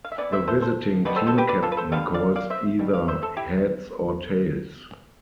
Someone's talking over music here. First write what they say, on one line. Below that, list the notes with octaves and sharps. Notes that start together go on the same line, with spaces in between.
The visiting team captain calls either heads or tails.
F5
E5
E3 B3 B4 D5
C5 E5
A4 C5
A4 C5
B2 G3 B3 G4 B4
A4 C5
A4 C5
G4 B4
B4 D5
F4 A4
B4
A4 C5
D3 G3 B3 F5
D5 F5
D5 F5
C5 E5
B2 G3
D5 F5
C5 E5
A4 C5
E4 G4